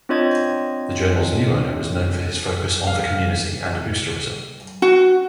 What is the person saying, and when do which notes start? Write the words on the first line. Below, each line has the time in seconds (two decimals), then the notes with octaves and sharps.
The Journal's new owner was known for his focus on the community and boosterism.
0.09 C4 D4 F4 C#5 D#5 G#6
2.87 F5
4.82 F#4